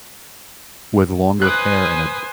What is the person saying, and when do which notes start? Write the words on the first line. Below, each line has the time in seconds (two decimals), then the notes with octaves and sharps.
with longer hair and a p
1.42 B4 C5 G#5 D#6 F#6